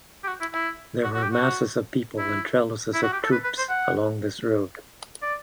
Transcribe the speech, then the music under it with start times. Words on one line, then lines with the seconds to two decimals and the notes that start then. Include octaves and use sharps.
There were masses of people and trellises of troops along this road.
0.24 G4
0.27 F#4
0.41 E4
0.54 E4
1.04 F#4
1.14 F#4
1.22 G4
1.33 F#4
2.18 E4
2.94 E4
3.03 F#4
3.12 G4
3.23 A4
3.32 B4
3.44 B4
3.58 C5
3.69 F#5
5.22 D5